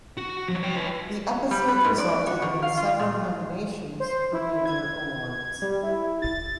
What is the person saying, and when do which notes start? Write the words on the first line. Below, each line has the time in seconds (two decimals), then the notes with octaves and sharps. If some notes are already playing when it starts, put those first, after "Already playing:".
The episode resulted in several nominations for major awards.
0.17 F#4
0.48 F3 F#3
0.63 C#5 G5
0.76 F4 B4
1.51 G3
1.68 B4
1.84 G#2
1.98 D5
2.27 F#4
2.42 D#3
2.62 F5
2.77 F4
2.99 A#2
4.00 C5
4.33 E4
4.65 G#6
5.62 G3
5.83 E4
6.22 A6